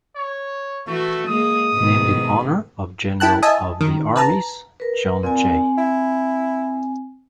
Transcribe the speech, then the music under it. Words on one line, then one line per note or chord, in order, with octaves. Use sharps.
Named in honor of General of the Armies John J.
C#5
E3 A3 F#4
G#3 A#3 D#6
G#2 B2 D#3
E4 G5 A5 F#6
D#5 E5 G#5 A5 D#6
D#3
B4 A5 A#5
A#4 B4
A#2 C4 G#5
E4